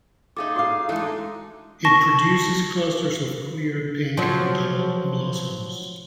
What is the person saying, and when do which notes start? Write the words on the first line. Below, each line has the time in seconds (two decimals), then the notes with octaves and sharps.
It produces clusters of clear pink double blossoms.
0.37 D#4 G#4 A4 E5 F5 D6
0.56 F#4 D5 F5 D6
0.89 E3 G#3 A3 D4 D#4
1.85 A5 C#6 A#6
4.17 F3 F#3